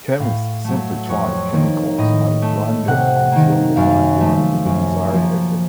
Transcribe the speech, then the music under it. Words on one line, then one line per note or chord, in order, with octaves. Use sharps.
Chemists simply try chemicals at random until they find one with the desired effect.
A2 F5
F#3 A3
F2 C#5
D#3 A#3
A2 D#5
A3
C3 F#5
D#3 A#3
F#2 F5
F3 A3
F#2
F3 A#3